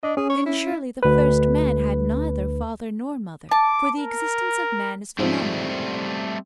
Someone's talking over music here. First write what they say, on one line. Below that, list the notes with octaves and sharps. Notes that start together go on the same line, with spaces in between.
Then surely the first man had neither father nor mother, for the existence of man is phenomenal.
D4 D#5
C#4 G#4
C#5
E4
D2 B4
A5 D6
A#4
G#2 F3 G3 A3 C4